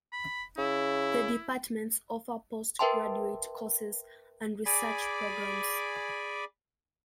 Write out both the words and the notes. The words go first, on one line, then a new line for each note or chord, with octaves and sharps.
The departments offer post-graduate courses and research programmes.
B5
C#3 E4
A#4 B4 E5 G5 A5 C6
G#4 D5 G#5 B5 D6